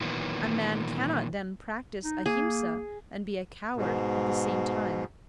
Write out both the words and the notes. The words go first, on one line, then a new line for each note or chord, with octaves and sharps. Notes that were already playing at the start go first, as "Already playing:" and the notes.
A man cannot then practice Ahimsa and be a coward at the same time.
A#2 D#3 E3 F#3 A#3 B3
D#4
A#3 G#4
G#2 B2